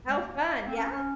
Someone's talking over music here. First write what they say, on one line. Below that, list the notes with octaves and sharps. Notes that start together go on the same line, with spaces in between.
How fun, yeah.
G#3
A#3
C4
C#4
C#4